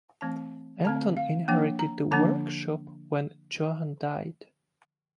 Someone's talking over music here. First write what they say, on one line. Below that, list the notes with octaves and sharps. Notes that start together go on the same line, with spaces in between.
Anton inherited the workshop when Johann died.
E3 A3 C4 A5
D3 A3 C4 A5
F5
F3 A#3 D4 G5
A#5
D3 F3 A#3 D4 A5